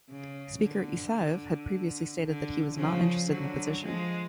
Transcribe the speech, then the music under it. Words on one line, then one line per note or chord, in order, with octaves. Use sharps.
Speaker Isaev had previously stated that he was not interested in the position.
C#3
D3
D3
D3
C#3 F3
D3 F#3
F3 G#3